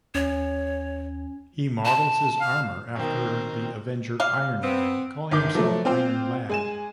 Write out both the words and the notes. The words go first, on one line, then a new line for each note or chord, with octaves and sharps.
He models his armor after the Avenger Iron Man, calling himself Iron Lad.
D#2 C#4 C#5
A5
F5
B2 D#3 C4 A#4
G3 F5
B3 C4
G1 D#3 D6 G6
F3 F#3 A3
C4 F4 C5 G5
G#3 G#5 E7